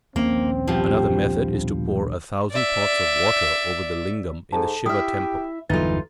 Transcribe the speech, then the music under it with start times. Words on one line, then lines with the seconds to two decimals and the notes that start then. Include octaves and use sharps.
Another method is to pour a thousand pots of water over the lingam in the Siva temple.
0.16 D#1 A#1 A#3 C4 C#4
0.67 G2 B2 F3 G4
2.51 D5 E5
4.53 G#2 A4 A5
4.86 E4 G4 E5 D#6 F6
5.70 G1 E2 E3 F#3 D#4 F4 A4 A6